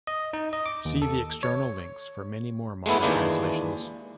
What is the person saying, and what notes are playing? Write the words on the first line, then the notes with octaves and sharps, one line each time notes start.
See the external links for many more modern translations.
D#5
D#4
D#5
D6
D#2
A4
C#5
G#3 A3 B3 E4
D#2 E3 G#3 A#3 D4